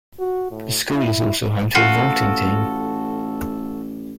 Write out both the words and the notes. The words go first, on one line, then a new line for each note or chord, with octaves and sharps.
The school is also home to a vaulting team.
F#4
A2
E4
A1 F4 F#4 A4